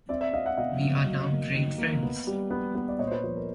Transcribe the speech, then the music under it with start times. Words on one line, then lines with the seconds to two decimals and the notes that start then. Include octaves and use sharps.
We are now great friends.
0.09 C4 D5 E5
0.21 D5 E5
0.33 C4 D#5 F5
0.46 E5 F#5
0.58 B2 D#5 F5
0.83 B2
1.06 F#3
1.31 A#3
1.54 D#3
1.78 A#3
2.03 B3
2.27 G3
2.51 B3
2.75 B3
2.89 D5
2.99 A#2 C#5 D#5
3.07 C5
3.11 B4 C#5
3.24 F3 B4
3.36 A#4